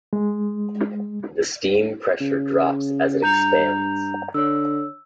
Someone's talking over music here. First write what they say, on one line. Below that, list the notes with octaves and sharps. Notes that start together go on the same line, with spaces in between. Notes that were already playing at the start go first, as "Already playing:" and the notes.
The steam pressure drops as it expands.
G#3
C#3
G2 A#5 G6 F7
D3 C#5 E6